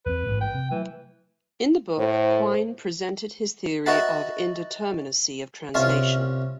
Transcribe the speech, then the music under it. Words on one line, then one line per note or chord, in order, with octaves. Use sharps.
In the book Quine presented his theory of indeterminacy of translation.
E2 C4 B4
A1 D2 G#2
G5
C3
E3 F#3 A3
A2 C5
D#4 F#4 B4 E5 F#5 A5
C2 C#4 F4 E5